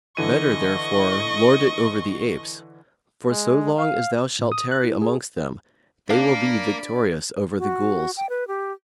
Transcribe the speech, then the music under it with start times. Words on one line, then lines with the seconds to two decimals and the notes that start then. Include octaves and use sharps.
Better therefore lord it over the apes, for so long as thou shalt tarry amongst them they will be victorious over the Ghuls.
0.17 D3 E3 D#5 C#6 D#7
3.30 G#3
3.78 F5
4.39 A2
4.52 D#6
4.71 F#6
4.84 E4
5.02 G#4
6.10 A#3 D4 A#4 D5 F5 B5
7.58 F#4
8.17 G5
8.29 B4
8.48 G4